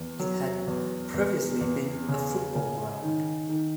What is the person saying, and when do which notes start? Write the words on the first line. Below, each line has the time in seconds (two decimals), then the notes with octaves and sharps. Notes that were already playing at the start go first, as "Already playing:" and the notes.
It had previously been a football ground.
Already playing: E2
0.19 F#3
0.67 E2
1.14 E2
1.61 E2
2.08 C#3
2.55 C#3
3.02 D#3
3.49 D#3